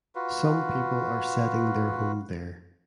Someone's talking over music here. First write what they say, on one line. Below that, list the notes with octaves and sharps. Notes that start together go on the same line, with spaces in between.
Some people are setting their home there.
F4 F#4 B4